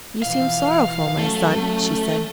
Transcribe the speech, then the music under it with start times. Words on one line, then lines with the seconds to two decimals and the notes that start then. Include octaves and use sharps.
'You seem sorrowful, my son,' she said.
0.22 B2 E3 F3 F5
1.19 F#3 A3 C#4